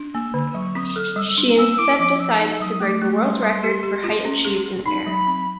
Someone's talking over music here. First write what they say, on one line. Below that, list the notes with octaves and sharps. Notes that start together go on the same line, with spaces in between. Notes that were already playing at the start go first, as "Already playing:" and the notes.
She instead decides to break the world record for height achieved in air.
Already playing: D4
A#3 E6
D3
F#3 C#6
C4 D#6
A4 F6
G3 E6
D4
A#3 E6
E4 D6
F3 D6
F3 E6
D#4 E6
F#3 D#6
A3 D6
A3 C#6
G3 C6
G3
G4
G4
F4
C#4
G#4
G#4
D#4 B5
F#3
C4